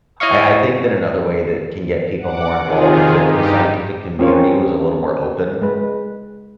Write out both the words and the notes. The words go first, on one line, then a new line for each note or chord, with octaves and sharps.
I I think that another way that can get people more involved is if the scientific community was a little more open,
E4 C#5 D#5 F5 C#6
F#5 D6
C3 D#3 F4 G#4
G2 D#4 G4
C4 C#4 F4 A#4 C#5
G#3 B4